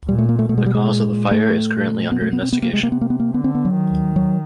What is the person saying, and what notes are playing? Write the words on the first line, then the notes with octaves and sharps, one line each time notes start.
The cause of the fire is currently under investigation.
A#2 G3
A3
A#3
A3
B2 A3
G#3
G3
G#3
A#2
A2 A3
A#2
B2 B3
A3
B3
C4
C3 B3
A#3
G#3
A#3
B3
A#3
B3
A#3
D3 B3
C4
B3
F#3
D#3
F#3